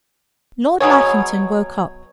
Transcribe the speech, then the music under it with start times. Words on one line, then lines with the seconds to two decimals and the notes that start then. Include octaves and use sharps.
Lord Lackington woke up.
0.80 B2 F#3 G#4 C#5